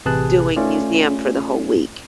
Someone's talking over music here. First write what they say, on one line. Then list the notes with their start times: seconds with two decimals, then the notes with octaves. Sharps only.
doing museum for the whole week.
0.05 A1 C3 G#4 B4 A5 F#6
0.56 A3 C#4 F4 D5